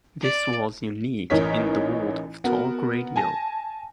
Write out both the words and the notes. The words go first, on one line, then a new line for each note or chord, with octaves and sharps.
This was unique in the world of talk radio.
D5
A1 E3 D#4 A#4 C#5 B6
B3 F#4 A#4
G#5 A5 A#6